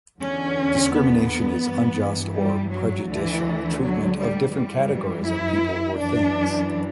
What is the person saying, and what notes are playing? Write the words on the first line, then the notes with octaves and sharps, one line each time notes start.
Discrimination is unjust or prejudicial treatment of different categories of people or things.
E2 D3 C#4
B3
G2 E3
G3
F#3
D2 D3 E3
F#3
G3
F#2 E3 G3
E4
F#2 E3 D4